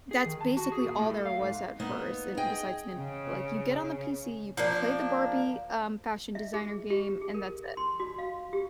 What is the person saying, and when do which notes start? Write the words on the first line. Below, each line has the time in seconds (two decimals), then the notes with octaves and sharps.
that's basically all there was at first. And besides Nintendo, like, you get on the PC, you play the Barbie, um, Fashion Designer game, and that's
0.11 G#4
0.25 D#3
0.41 A5
0.57 F#4
0.72 G#4
0.84 A#2
0.97 A2
1.09 A4
1.25 F5
1.40 G#2
1.80 A#3 B3 D#4
2.37 G#4 D#5 G5
2.92 C#3
4.57 F3 A#3 D4
6.35 E5
6.54 G#4
6.90 G4
7.21 G#4
7.34 A#4
7.77 C6
8.00 F#4
8.18 F5
8.53 G4